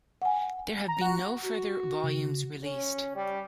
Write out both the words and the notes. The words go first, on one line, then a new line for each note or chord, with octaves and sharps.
There have been no further volumes released.
F#5 G#5
A#5
F#4
F#4
C#3
C#4
G3